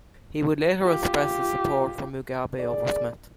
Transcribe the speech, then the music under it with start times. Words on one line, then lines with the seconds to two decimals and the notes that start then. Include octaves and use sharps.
He would later express his support for Mugabe over Smith.
0.82 F4 G4
2.57 D#2 G#4 D5